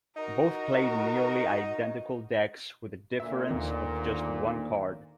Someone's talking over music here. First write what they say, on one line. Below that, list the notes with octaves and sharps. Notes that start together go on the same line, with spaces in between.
Both played nearly identical decks with a difference of just one card.
D#4 F#4 A#4
D2 A#2 E5
D#2 D#3